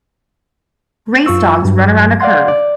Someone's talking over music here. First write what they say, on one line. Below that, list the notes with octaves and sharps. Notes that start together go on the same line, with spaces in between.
Race dogs run around a curve.
F#2 F4 C#6 E6
G2 F#3
D5 F5 F#5 C6
D5